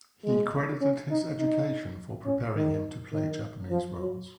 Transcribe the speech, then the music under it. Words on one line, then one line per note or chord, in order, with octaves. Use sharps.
He credited his education for preparing him to play Japanese roles.
G#3
C#4
D#4
D#4
C#4
D#3
D#3
F3
F#3